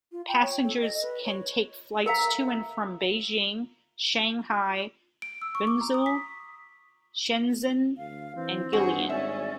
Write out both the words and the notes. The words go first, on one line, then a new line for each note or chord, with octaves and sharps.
Passengers can take flights to and from Beijing, Shanghai, Guangzhou, Shenzhen, and Guilin.
F4
G5
C#5
A4
D#5
B4
C#5
A4 A#4 E5 F5 A#5
D7
E6
C#6
D6
A#5
D#6
B6
D2 F5
E3 C4
G2 F#4 G#4
G#1 C#4 D5 E5